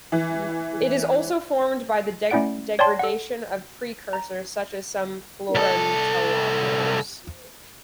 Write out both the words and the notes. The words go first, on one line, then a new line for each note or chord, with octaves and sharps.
It is also formed by the degradation of precursors such as some fluorotelomers.
E3
A3 C#4 E4 D5 F#5 D7
C#5 D5 G5 A5 C6
A4 F#5
A#5
C2 A4